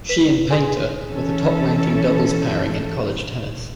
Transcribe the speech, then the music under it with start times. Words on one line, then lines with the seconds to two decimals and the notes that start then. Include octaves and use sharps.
She and Paynter were the top ranking doubles pairing in college tennis.
0.09 B4 B6
0.50 G#4 G#5 C6
1.07 E3 C#4 A4